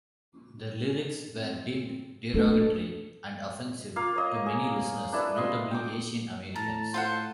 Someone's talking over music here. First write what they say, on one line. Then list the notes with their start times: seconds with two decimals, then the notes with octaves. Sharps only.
The lyrics were deemed derogatory and offensive to many listeners, notably Asian Americans.
1.35 C4
2.34 A3 D4 A4
3.96 A#3 F4 F5
4.16 C#5 D#5
4.46 G#4
5.13 D4 E4 A4 B4
5.36 F4 D#5 C6
5.71 G5 D6
6.56 A2 A5 A#5
6.94 F4 A4 C5 F#5